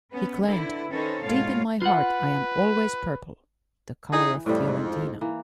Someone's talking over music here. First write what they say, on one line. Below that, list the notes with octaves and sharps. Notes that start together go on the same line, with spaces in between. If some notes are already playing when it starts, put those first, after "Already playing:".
He claimed: "Deep in my heart I am always purple", the colour of Fiorentina.
B3 C#4 B4
D3 E4 B4
D#3 C#4 D#4 A4 B4 C5
G#2 B2 F4 C#5 F5
F4 B4 F#5
E3 D#4 G#4 G5
F2 A2 G3
G#2
E3 A#3